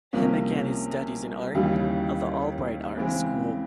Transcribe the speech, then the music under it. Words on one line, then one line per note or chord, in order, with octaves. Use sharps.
He began his studies in art at the Albright Art School.
C2 C3 F3 A#3 C#4
D#2 C#3 E3 G3
C#3 E3 G#3 C4